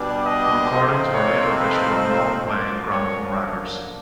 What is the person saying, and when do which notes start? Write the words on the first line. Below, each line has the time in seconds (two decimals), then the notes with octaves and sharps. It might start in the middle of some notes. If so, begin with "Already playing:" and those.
The recordings were later issued on long-playing gramophone records.
Already playing: B2 G3 B3 D4
0.23 D#5
0.68 C3 F3 A3 C4 D#4
1.11 C#5
1.57 B4
2.00 C5
2.45 F#2 D3 F3 A#3 D4 C5
2.89 C#5
3.34 C#5